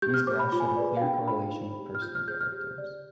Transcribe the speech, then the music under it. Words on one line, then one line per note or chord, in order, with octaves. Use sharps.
These graphs showed a clear correlation with personal characters.
G4 G6
F6
C5 D6
B5
F4 B5
G#5
B5
G#4 B4 D5
F5
D4 G5
F4 C5 B5
D#4
G4 C5
F6
F4 G6
F6
G#4 C5 G6
F6
G4
D5